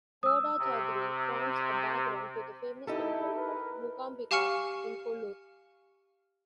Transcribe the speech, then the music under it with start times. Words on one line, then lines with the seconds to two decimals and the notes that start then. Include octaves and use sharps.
Kodachadri forms a background to the famous temple of Mookambika in Kollur.
0.23 D#6 E6
0.59 C3
2.87 D#4 E4 G4 A4
3.36 A#4 B4
4.31 G4 F5 G#5 C#6 F6 C#7